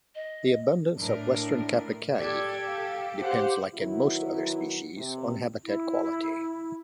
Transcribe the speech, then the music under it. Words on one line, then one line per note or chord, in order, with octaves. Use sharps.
The abundance of western capercaillie depends-like in most other species-on habitat quality.
D#5
A2 D4 A#4
G4 A4 D5 G#6
F5
G4 C5 F#5
D#3 F#3 B3 E4
C3
E4